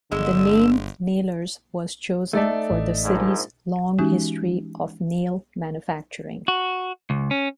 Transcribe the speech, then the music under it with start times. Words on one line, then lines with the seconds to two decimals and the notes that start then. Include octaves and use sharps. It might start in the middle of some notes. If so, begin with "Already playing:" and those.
The name "Nailers" was chosen for the city's long history of nail manufacturing.
0.12 G1 D3 G#3 E6
2.33 A3 D#4 A4 D5 E5
2.71 A1
3.04 A#1 G#2
3.99 E3 G#3 C#4 D#4 F#4 G4
6.48 F#4
7.10 C#2
7.31 C#4